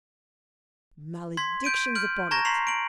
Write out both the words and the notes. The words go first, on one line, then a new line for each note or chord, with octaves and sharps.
Maledictions upon it!
C6 G#6 B6
G6 D7 D#7
F6 G6 D7 F#7
A5 A#5 C#6 G#6 A#6
A#5 C6 C#6 B6 C7 F7
D7 F#7